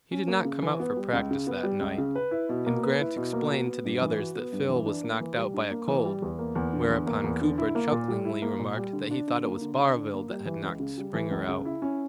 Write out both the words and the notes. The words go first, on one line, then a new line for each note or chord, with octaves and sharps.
He did not come out for practice that night, and Grant explained to the others that Phil was knocked out by a cold, whereupon Cooper chucklingly remarked that he thought it was Barville that had knocked Springer out.
C#4
A#3
C#3
E3
B3
G3
C#2
C#3
B3
G3
C#2
C#3
B4
E4
B2
A#3
B4
E4
B2
A#3
F#4
B3
G2
E3
F#4
B3
G2
E3
D4
A#3
E3
G3
D4
A#3
E3
G3
E2
A#3
E2
D3
E2
A#3
E2
D3
E4
A#3
A#2
G3
E4
A#3
A#2
G3
D3
D4
D3
A#3
D3
D4
D3
A#3
G3
E3
C#2
C#3
G3
E3
C#2
C#3
E4
C#4